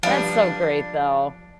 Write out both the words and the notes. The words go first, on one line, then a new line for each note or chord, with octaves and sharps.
that's so great, though.
F3 G3 D4 B4 F5